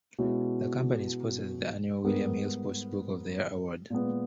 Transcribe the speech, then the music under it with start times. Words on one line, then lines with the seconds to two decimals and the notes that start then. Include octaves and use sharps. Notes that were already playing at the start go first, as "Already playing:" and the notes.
The company sponsors the annual William Hill Sports Book of the Year award.
0.19 B2 G#3 C#4 E4
2.04 G#2 G3 B3 G4 A#4
3.90 A#2 G#3 B3